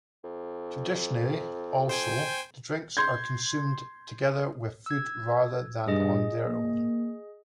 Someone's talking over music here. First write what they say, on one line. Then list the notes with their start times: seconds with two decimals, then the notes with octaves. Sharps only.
Traditionally, also, the drinks are consumed together with food rather than on their own.
0.24 F2
1.89 C5 G5 G#5
2.97 C6 G6 G#6
4.86 E6 G#6
5.88 G2 G#4 D#5
6.47 A#3